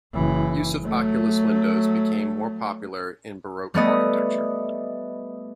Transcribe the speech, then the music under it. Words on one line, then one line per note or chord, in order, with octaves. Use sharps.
Use of oculus windows became more popular in Baroque architecture.
F#1 E3
F#3 A3
G3 A3 B3 D#5